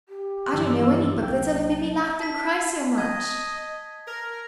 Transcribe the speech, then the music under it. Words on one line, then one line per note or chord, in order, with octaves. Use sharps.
"I don't know any book that's ever made me laugh and cry so much."
G4
G2 E3 F3 E6
C2 F#3 A#3 G5
A5
A5 B6
D#5 G#6
A#4